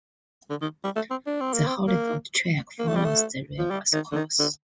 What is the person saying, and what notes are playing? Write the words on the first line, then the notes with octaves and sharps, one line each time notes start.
The Hollyford Track follows the river's course.
D3
D#3
G3
A3
C4
D4
C4
A#3
C4
A#3
A#3
A3
G3
A3
F3
G3
D#3
D3
D#3
D3